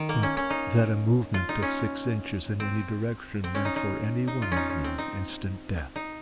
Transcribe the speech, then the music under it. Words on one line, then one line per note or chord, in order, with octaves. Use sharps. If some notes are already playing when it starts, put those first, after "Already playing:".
But--that a movement of six inches in any direction meant for any one of them instant death.
Already playing: D#3
A#3
C#4
C#4
D#4
F4
D#4
C#4
C4
C4
C#4
D#4
D#4
D#4
F4
C#4 D#4
C#4
C4
D#4
D#4